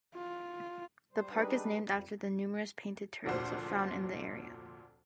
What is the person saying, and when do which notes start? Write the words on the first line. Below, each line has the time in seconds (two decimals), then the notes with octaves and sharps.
The park is named after the numerous painted turtles found in the area.
0.15 F4
1.13 G3 C5
1.31 G3 G#3 D4 D#4 B4
1.82 F2 G3
3.25 F1 D2 A#2 F#4 C5 C6